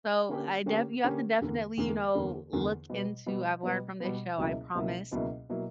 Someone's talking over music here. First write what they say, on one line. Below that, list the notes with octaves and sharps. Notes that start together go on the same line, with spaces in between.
So, I def you have to definitely, you know, look into I've learned from this show, I promise
D3 A#3 C#4 G4
D3 A#3 C#4 G4
D3 A#3 C#4 G4
E2 D3 A#3
E2 D3 A#3
E2 D3 A#3
E2 D3 A#3
B2 G3 B3
B2 G3 B3
B2 G3 B3
B2 G3 B3
C#2 B2 F#3 A#3 E4
C#2 B2 F#3 A#3 E4
C#2 B2 F#3 A#3 E4
B2 F#3 A#3 E4